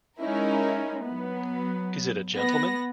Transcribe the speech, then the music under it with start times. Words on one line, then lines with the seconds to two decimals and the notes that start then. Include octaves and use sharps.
Is it a gentleman?
0.20 G#3 C#4 D#4 E4 A#4
1.02 F#3 B3
2.36 B3 A#6